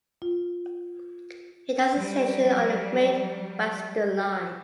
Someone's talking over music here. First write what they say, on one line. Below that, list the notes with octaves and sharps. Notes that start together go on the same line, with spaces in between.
It has a station on the Main Western line.
F4
F#3 G3